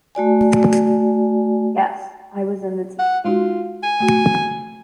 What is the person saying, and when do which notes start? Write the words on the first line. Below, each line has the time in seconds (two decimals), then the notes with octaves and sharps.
Yes, I was in the team.
0.15 A3 F#4 D5 G#5
2.99 F#5
3.25 G#3 D#4 F4 F#4
3.83 G#5
4.00 A3 F#4